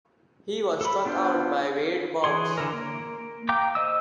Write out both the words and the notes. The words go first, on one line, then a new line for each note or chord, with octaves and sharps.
He was struck out by Wade Boggs.
A4 B5
B3 D4 F4 C5 F6
E3 G#4 C#5 C6
D3 E3 A#4
A#3
F5 G5 A#5 D6 G6
C5 D#5 E6